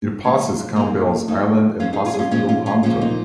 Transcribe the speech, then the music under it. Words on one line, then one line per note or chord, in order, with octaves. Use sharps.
It passes Campbell's Island and passes through Hampton.
A#2 F3 G#3 C#4
A#2 F3 A#3 D#4
F2 F3 A#3 D#4
F2 F3 C#4 F4
D#4 G#4
C#4 F4
G#4
C#4 F4
A#2 F3 G#3 C#4
C#4 F4
C#4 F4
A#2 F3 G#3 C#4
A#3 D#4